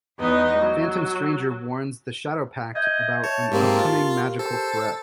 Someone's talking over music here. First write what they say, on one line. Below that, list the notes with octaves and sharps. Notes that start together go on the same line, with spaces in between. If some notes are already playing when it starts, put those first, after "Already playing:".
Phantom Stranger warns the Shadowpact about an upcoming magical threat.
E2 B3 D#4 D#5
F#3
D#5 E5 G6 G#6
C#5 A5
G#2 A#3 C4 G4 A#4
F4
A4 C5